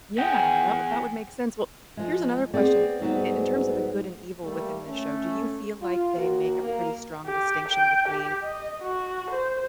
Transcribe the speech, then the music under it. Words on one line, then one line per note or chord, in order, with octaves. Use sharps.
Yeah, that wou that would make sense. Well, here's another question, i in terms of the good and evil within this show, do you feel like they make a pretty strong distinction between
E2 G#4 F#5 G5
F3 G#3
B3 C4 G#4 D5
G#2 F#3 G3 B3
G3 A3 A#3
A3 C#4
F4
D#2 A#3 F#4
A#3
G4
G5
G4
D#5
F#4
C5